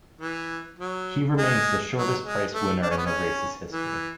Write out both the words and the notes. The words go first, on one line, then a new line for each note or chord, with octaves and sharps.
He remains the shortest-priced winner in the race's history.
E3
F#3
G#3
F#3
G#3
A3
D4
C#4
B3
C#4
E3